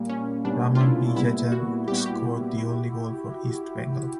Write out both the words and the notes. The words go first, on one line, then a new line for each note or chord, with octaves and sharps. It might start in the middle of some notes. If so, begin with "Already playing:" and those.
Raman Vijayan scored the only goal for East Bengal.
Already playing: A#2 G3 A#3
C#4
A#2 G3 B3 D4
F4
E4
A#2 G3 B3 E4
F#4
A#2 G3 B3 G4
F#4
G4